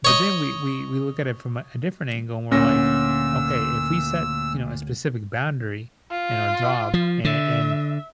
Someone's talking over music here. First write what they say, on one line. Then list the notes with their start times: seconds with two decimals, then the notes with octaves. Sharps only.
But then we we we look at it from a a different angle and we're like, "Okay, if we set," you know, a specific boundary in our job and and
0.05 C#5 D#5
2.52 D2 A#2 C#4 E6 A#6
6.11 F4
6.94 F3
7.25 D3 E5